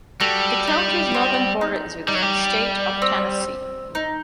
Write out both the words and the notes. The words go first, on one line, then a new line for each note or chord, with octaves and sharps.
The county's northern border is with the State of Tennessee.
G3 F#4 A4
D#4
C4
D#4
G3 D#4
F#3
G3
C4
D#4